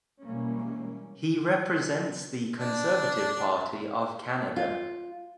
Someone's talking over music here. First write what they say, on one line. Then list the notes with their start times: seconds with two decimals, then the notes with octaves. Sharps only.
He represents the Conservative Party of Canada.
0.22 B2 E3 G3 G#3 A#3 C#4
2.58 D4
4.57 F4